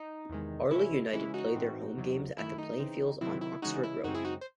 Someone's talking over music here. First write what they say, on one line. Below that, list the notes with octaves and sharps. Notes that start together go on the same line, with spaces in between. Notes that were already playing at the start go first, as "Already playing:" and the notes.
Ardley United play their home games at the Playing Fields on Oxford Road.
Already playing: D#4
E2 C3 D#3 G#3
C3 E3 G#3 C#4 E4
C#3 E3 G#3 C#4 E4
D#4 F#4
A2 E3 C4
E2 C3 F#3
F#2 D#3 A3 E4
D#4
C#3 E3 C4
C3 D#3 F#3 C4 E4
E4
C#3 E3 G#3 C#4 D#4 F#4
E4
F#2 C#3 G#3 C4 D#4 F#4
E4 G#4
D#4 F#4
C5